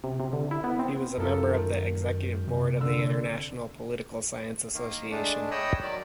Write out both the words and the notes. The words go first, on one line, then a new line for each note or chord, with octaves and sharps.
He was a member of the Executive Board of the International Political Science Association.
C3
C3
D3
E4
B3
C4
F#2 F4 A4 A#4
D#3
C3
D3 E6
D#3 A#3
G#3 A3 D4
C#5 D#5 G5 B5 D#6 E6
D#3 F#3 D5